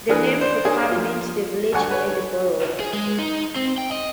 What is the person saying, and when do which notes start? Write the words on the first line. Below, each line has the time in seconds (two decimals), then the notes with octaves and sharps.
The name "Burham" means "the village near the borough".
0.09 E3 D4 G#4 A#4 B4
0.41 C5 D5
0.65 A#3 D4 G#4 C#5
0.91 F3 F4
1.72 D2 G2 G4 F#5 G#5 C#6
1.91 B4 C#5 G#5
2.80 G#4
2.93 G#3
3.19 D#4
3.56 C4
3.78 G5
3.92 D#5